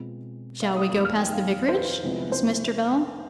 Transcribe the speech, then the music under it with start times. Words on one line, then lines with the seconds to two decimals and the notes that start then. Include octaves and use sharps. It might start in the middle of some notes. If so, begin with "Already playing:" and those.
'Shall we go past the vicarage?' asked Mr. Bell.
Already playing: B2 G#3 C4 F4
0.62 F5
0.76 D#6
0.90 F1 D#2 D#3 B3 D#6
1.05 F6
1.19 G5
1.33 F5
1.68 C5
1.75 B4
2.03 C2 C3 F3 G#3 B3
2.32 C5